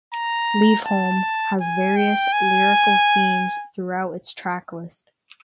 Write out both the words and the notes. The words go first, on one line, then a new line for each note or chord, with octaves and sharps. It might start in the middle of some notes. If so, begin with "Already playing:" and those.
"Leave Home" has various lyrical themes throughout its track list.
A#5
A5
G#5
G5
G#5